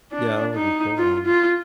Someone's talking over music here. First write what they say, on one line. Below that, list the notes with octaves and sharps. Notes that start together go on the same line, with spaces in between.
Yeah, that would be cool, um,
D4
D#4
F4
F4